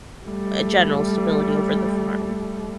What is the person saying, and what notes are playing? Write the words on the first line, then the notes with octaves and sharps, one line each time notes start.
a general stability over the farm.
G3 A3